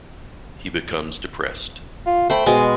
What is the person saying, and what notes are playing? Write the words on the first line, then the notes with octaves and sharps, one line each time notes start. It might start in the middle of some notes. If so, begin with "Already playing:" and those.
He becomes depressed.
F4
A3 C5 G5 B5
B2 G#3 G#4 G#5